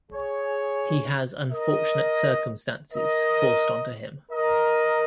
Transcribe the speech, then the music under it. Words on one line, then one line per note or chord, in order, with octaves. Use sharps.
He has unfortunate circumstances forced onto him.
G#4 C#5
A#4 D#5
A#4 D#5
A#4 D#5